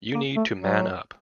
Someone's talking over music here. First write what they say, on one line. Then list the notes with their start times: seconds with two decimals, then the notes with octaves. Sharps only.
You need to man up!
0.14 A#3
0.36 A3
0.59 F#3